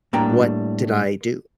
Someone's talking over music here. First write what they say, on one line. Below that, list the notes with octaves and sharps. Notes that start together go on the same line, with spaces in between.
what did I do?
A2 G3 A#3 D4 G5 A#5